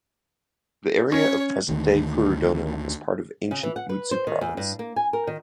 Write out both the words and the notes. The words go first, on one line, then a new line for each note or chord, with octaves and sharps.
The area of present-day Furudono was part of ancient Mutsu Province.
C#4 C#5
D2 D#3
C#3
E3
F#5
B4
C5
D#3
E2
G2
A#3
G#5
A#4
D#3